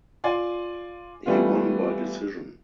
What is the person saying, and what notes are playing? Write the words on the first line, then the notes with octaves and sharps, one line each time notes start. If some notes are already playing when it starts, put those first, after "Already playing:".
He won by decision.
F4 D5 G#5 C6
E3 G3 A3 B3 F4